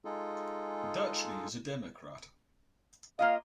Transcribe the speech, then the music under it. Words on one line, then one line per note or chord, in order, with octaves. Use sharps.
Ducheny is a Democrat.
G#3 D#4 F4 G#4 A4
A#3 F4 D#5 F5